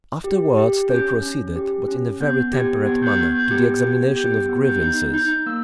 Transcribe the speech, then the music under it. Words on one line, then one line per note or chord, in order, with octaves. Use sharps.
Afterwards they proceeded, but in a very temperate manner, to the examination of grievances.
G4
G4
C#4 G6
C#4
G4
C#4
B3 G6
G4 G#6
B3 G#6
G6
B3 G#6
G6
G4 G#6
G6
B3 G#6
G4 G6
G6
B3
G6
D#4 G6
D#4 G6
A#3 E6